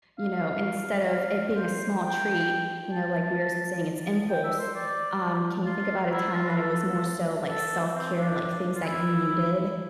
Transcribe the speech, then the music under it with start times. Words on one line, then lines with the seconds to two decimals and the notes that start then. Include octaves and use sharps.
you know, instead of it being a small treat you know, like we were s-saying it's impulse. Um, can you think about a time that it was more so, like, self-care, like, things that you needed?
0.18 F5
1.10 F5
1.55 C5
2.01 G5
2.92 A5
4.29 G5
4.44 E5
4.59 C5
4.75 D5
5.66 F4
6.11 E4
6.34 F4
6.49 B4
6.57 A4
7.48 A4
7.95 C4
8.17 D4
8.75 F4
8.85 E4